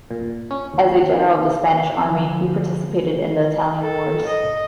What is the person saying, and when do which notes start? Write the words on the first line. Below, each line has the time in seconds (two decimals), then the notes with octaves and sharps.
As a general of the Spanish army, he participated in the Italian Wars.
0.11 A#2
0.51 C#4
0.74 D#2
1.15 D#3
2.03 D3 F3
3.81 A4
4.27 D#5